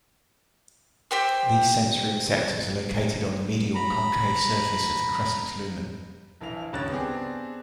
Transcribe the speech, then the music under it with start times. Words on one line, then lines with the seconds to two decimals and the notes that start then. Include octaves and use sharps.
These sensory receptors are located on the medial concave surface of the crescent lumen.
1.11 G4 C5 G5 E6
3.75 A#5 B5
6.41 A#1 E3 F5 F7
6.73 D#1 C#2 G2 C#5 F#6 A6
6.89 B3 C4 D4 G4 G#4